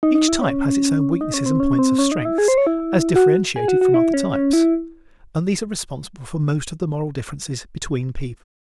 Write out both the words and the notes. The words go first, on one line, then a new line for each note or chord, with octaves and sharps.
Each type has its own weaknesses and points of strength as differentiated from other types and these are responsible for most of the moral differences between people.
D#4
D#4
E4
C#4
D#4
C#4
C4
C#4
C4
C#4
D#4
E4
G#4
C5
C#5
E4
F#4
G#4
F#4
F#4
E4
C#4
C#4
E4